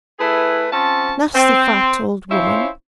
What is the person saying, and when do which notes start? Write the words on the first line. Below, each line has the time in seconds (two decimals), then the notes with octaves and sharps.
Nasty fat old woman!
0.19 A3 E4 G#4 B4
0.71 F3 C4 C#4 A5
1.35 C4
2.29 C4 C#4 E4 F4 C5 C#5